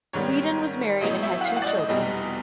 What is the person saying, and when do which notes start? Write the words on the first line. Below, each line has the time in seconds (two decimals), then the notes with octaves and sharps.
Weedon was married and had two children.
0.13 G#2 D#3 G3 B3 C#5
1.01 A1 A2 F#3 B3 D#5
1.23 E5
1.41 F#5
1.45 F5
1.57 F#5
1.62 D5
1.67 D#5
1.78 D#5
1.89 F1 E2 B2 G3 D#5